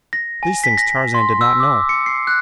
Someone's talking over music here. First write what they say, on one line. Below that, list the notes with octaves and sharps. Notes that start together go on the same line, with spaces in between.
These things Tarzan did not know.
A#6
G#5
B6
A#6
C6
E6
D6
C#7
C7
F#6